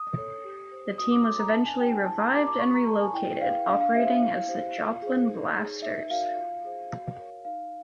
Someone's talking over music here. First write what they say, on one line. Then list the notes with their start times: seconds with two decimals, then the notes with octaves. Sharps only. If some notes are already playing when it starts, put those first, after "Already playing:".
The team was eventually revived and relocated, operating as the Joplin Blasters.
Already playing: D#6
0.17 A4 C#5
0.44 G4
0.72 C5
0.98 F#4 D#6
1.11 D6
1.25 A4 C#5 D6
1.39 A#5
1.52 D4 A5
1.65 G#5
1.79 G4 C5 G5
1.93 G#5
2.05 E4 A5
2.20 A#5
2.33 G4 A#4 D6
2.47 D6
2.59 G4 C#6
2.74 A#5
2.86 A#4 D5 A5
3.01 G#5
3.13 E4 G5
3.41 G#4 B4 F5
3.68 D4 F5
3.81 F5
3.94 G4 C5 E5
4.07 F5
4.22 E4
4.49 G4 C5
4.75 F4
5.02 G#4 C5
5.29 D#4
5.56 G#4 C#5
5.82 D#4 E5
6.10 F#4 A#4 D5 F5
6.37 F4
6.64 G#4 C5
6.91 F#4
7.18 A#4 C#5
7.45 D#4 F5